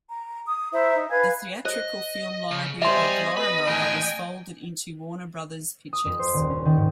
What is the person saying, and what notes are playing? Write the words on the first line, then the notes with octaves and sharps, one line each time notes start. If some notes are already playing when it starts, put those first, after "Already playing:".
The theatrical film library of Lorimar was folded into Warner Brothers Pictures.
A#5
D#6
E4 C5 E5 A#5
D#4
B4 F5 G#5 G#6
C5 D#5
C#3
G3 C5 D#5 E5 G#5 C6
B4 B5
A2 E3 G5 G#5
D#6
F2
C5
D#1
C#4
D#3
G#2